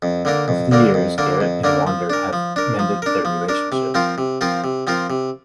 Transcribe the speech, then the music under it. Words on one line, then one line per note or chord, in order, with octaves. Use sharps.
Over the years, Garrett and Wonder have mended their relationship.
F2
D3 A#3 D4 A#4
F2
D3 A#3 D4 A#4
F2
D3 A#3 D4 A#4
F2
D3 A#3 D4 A#4
F3
D4 A#4
F3
D4 A#4
F3
D4 A#4
F3
D4 A#4
C3
F3 C4 F4 A#4
C3
F3 C4 F4 A#4
C3
F3 C4 F4 A#4
C3